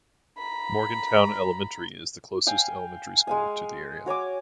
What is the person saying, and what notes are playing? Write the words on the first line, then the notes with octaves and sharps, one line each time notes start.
Morgantown Elementary is the closest elementary school to the area.
A#5 B5
F5 G5 G#5
G#3 F5 G#5
F#4 C#5 G#5 D6